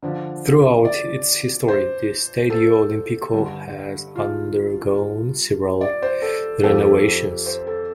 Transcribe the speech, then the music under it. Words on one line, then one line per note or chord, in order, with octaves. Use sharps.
Throughout its history, the Stadio Olimpico has undegone several renovations.
D3 F3 D4
D5
C5
A4
G2 D3 G3
F4
D5
C5
A4
F2 F3 C4 A4
G4
A4
C5
A4